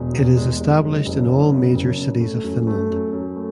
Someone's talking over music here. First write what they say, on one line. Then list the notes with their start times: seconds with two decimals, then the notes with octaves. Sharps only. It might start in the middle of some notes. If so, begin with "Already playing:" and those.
It is established in all major cities of Finland.
Already playing: E1
0.14 E2
0.37 G#3
0.60 G#3
0.82 F#1
1.06 F#1
1.29 F#1
1.51 C#3
1.75 F#1
1.98 C#3
2.20 A3
2.44 F#2
2.67 A3
2.90 F#2
3.13 F#2
3.36 A3